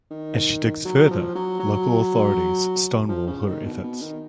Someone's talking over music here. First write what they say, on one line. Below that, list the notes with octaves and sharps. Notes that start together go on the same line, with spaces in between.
As she digs further, local authorities stonewall her efforts.
D#3
F#3
F3
F#3
F#3
F3
C#3
D#3
B2
B2
D#3